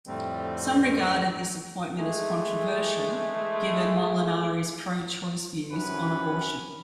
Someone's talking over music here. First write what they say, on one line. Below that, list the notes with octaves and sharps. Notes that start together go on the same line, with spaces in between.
Some regarded this appointment as controversial, given Molinari's pro-choice views on abortion.
F2 A2 D3 G3 A3 C4
E3 G#3 A3 G#4
C2 F#2 C#4 B4